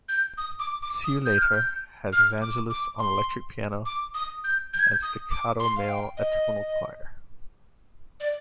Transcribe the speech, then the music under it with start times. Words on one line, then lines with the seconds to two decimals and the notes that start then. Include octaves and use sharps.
"See You Later" has Vangelis on electric piano and staccato male atonal choir.
0.09 G6
0.37 D#6
0.59 D6
0.82 D6
1.04 D#6
1.26 G6
1.38 F6
1.52 G6
2.13 F6
2.42 D6
2.70 D6
2.99 C6
3.85 D6
4.14 D#6
4.44 G6
4.73 G6
4.79 G#6
4.87 G6
5.02 D#6
5.31 D6
5.60 C6
5.76 F5
5.89 G5
6.17 D#5
8.20 D5